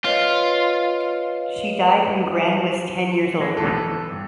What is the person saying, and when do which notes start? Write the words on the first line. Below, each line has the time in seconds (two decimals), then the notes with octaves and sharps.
She died when Gran was ten years old.
0.05 F4 B4 C#5 D#5
3.39 A#2 E3 G#3
3.57 E3 B3 A4
4.10 G2